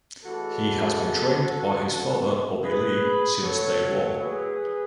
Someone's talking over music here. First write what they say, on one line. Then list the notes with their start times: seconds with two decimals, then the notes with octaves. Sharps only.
He has been trained by his father Bobby Lee "since day one".
0.24 A2 E3 G#3 F#4 A4
2.63 G#4 B4
3.42 A2 F#3 A4 C#5
4.22 G#4 B4